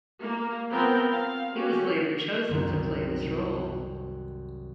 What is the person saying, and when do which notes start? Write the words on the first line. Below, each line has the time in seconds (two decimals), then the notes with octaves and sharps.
He was later chosen to play this role.
0.20 A#3
0.71 F3 B3 C4 A#4 G5
1.11 F5
1.54 C#4 F#4 G4
2.49 C2 F#2 D#3